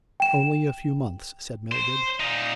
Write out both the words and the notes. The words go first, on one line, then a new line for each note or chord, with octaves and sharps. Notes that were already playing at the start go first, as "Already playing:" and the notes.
'Only a few months,' said Mildred.
G5 E7
C5
A#2 D#4